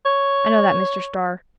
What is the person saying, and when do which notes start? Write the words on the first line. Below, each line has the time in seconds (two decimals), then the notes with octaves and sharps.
"I know that, Mr. Starr."
0.06 C#5